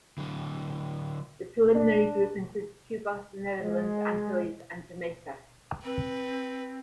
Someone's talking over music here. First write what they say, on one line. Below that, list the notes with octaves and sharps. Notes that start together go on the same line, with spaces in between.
The preliminary group included Cuba, the Netherlands Antilles, and Jamaica.
D3 F#3
D4
G#3
C4 B4